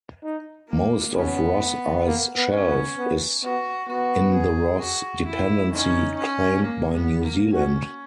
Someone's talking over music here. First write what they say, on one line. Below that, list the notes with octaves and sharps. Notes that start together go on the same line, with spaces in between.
Most of Ross Ice Shelf is in the Ross Dependency claimed by New Zealand.
D#4
A#3
B3 C#4
A#3
B3
C#4
B3
B3
B3 F#4
B3 F#4
G#4
F#4
E4
C#4 D#4
C#4
A#3
B3
A#3
C#4 F#4